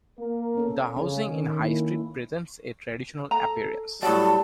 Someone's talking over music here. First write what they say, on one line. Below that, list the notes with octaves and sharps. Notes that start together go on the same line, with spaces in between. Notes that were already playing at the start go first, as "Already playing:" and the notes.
The housing in High Street presents a traditional appearance.
A#3 A#4
B3 C#4 A4
C#3 C#4
D#3
A#3 E4
A4 A#5
A2 F#3 G3 D5 A5